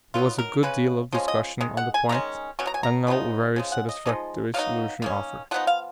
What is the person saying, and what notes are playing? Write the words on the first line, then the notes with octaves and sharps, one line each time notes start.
There was a good deal of discussion on the point and no very satisfactory solution offered.
F#3 B3 D#4 F4
A#4
C#3 G#3 C#4 B4
F3 G#3 C#4
D#5
D#3 G#3
F#5
G#5
D#3 G#3 C#4 A#5
B2 F#3 C#4
A#5
G#5
A#5
C#3 F3 B3 D#4
C#3 F3 G#3
F#5
D#5
F3 G#3 D#4
F#3 B3 D#4 F5
D#3 A#3 C#4
F3 B3 D#4 F#5
F5